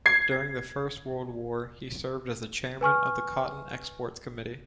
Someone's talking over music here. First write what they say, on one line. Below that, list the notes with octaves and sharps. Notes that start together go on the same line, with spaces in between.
During the First World War he served as Chairman of the Cotton Exports Committee.
G#6 C7
B4 G#5 C#6 F6